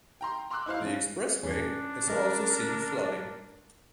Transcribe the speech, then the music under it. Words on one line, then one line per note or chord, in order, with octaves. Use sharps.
The expressway has also seen flooding.
G5 A#5 C6
A#5 C6 D6 E6 F#6
D#4 E4 C5 F5
F3 C#4
E2 G2 C#4 D4
A1 G#3 G#4 A#4